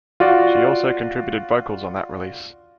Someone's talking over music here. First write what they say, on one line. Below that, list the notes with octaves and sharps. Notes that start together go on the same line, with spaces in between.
She also contributed vocals on that release.
F4 F#4 D5